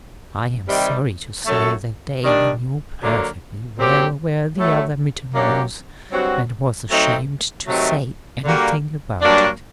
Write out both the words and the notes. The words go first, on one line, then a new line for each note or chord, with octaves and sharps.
I am sorry to say that Davy knew perfectly well where the other mitten was, and was ashamed to say anything about it.
C3 D#3 G3
F#2 F#3 A3
D#3 G3 D4
D3 F#3 A#3
A#2 F#3 C4 G4
A2 F#3 A3
F#2 F#3 A#3 D4 G4
G2 F#3 C4 F#4
F#3 A3 C4 D#4
C3 D#3 F#3 A3 C4
D3 G3 A#3 F#4
G2 F#3 A#3 D4